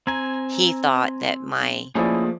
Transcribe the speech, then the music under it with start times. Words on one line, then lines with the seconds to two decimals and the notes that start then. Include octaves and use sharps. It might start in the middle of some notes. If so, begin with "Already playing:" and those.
he thought that my
0.07 C4 G#5 A#5 G#6
1.95 F3 A3 A#3 C#4 E4 G#4 D5 D#6